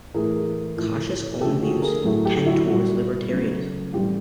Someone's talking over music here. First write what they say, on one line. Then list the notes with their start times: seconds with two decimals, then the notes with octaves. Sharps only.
Cosh's own views tend towards libertarianism.
0.14 A2 E3 A3 G#4 A#4
0.77 A2 F3 A3
1.40 D3 F3 A3 G4 A4
1.62 F#4 G#4
1.82 G#4 A#4
2.04 A2 F#3 A3
2.25 G4 A4
2.36 G4
2.46 E4 F#4
2.66 A#2 G3 E4 F#4
3.30 C#3 F#3 A3
3.93 A2 E3 G3 F4 G4